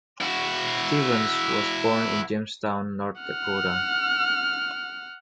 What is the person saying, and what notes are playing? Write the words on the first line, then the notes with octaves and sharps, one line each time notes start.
Stevens was born in Jamestown, North Dakota.
E4 F#4
F#5 F6